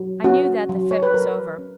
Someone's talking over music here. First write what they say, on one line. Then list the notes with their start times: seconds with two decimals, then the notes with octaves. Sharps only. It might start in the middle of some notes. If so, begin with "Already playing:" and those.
I knew that the fit was over.
Already playing: F#3
0.24 C#4 F#4
0.69 F#3
0.91 C#5
1.03 B4
1.14 F#3 A#4
1.58 C#4